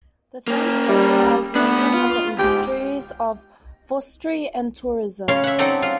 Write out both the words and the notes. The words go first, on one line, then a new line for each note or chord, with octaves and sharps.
The town today relies mainly on the industries of forestry and tourism.
A#3 C#4
G3
A3 B3 D4
F4
D2 G#2 G4
C#3 C#4 C#5 F5 C6
E5 F#5
F#3 C4 D#4 A4 D5 D#5
F4